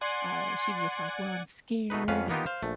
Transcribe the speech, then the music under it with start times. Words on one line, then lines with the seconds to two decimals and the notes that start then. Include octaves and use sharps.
uh, she was just like, "Well, I'm scared, and
0.01 D5 F#5 G#5 C6
1.90 B2 A3 D#4 B4
2.08 F2 B3 C#4 B4 F5
2.29 A#3 B3 D#4 F4 G4
2.46 C5 F5
2.63 A#1 A3